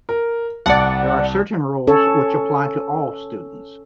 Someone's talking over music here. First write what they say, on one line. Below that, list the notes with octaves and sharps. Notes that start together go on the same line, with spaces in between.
There are certain rules which apply to all students.
A#4
C2 D5 F#5 A5
C#4 A4 C#5